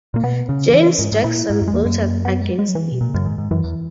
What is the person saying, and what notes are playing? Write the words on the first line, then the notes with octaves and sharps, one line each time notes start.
James Jackson voted against it.
A#2 A#3
B2 B3
C#3 C#4
D#3
E3 D#4
C#4
G#2
G#2
A#2 E4
G#2
F#2
G#3
E2 A#3
F#2
B3
G#3
G#3
F#3
E3
B2
A#2
C#3
F#2
G#2 D#3
G#2
F#2 E3
E2